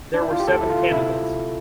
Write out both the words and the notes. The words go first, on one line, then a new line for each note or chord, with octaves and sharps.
There were seven candidates.
D4
E4
F4
G4
D2 A4
E4
F4
C3 E4